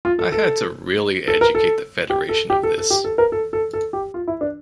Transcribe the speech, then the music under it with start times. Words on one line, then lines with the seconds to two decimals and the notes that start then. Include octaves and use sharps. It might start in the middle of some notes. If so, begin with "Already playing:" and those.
I had to really educate the federation of this.
0.05 F4
0.19 A4
0.32 A4
1.28 A4
1.41 A#4
1.55 A4
2.10 G4
2.29 A4
2.50 G4
2.63 A4
2.78 A4
2.90 G4
3.04 A4
3.18 A#4
3.32 A4
3.53 A4
3.73 A4
3.93 G4
4.14 F4
4.28 E4
4.41 D4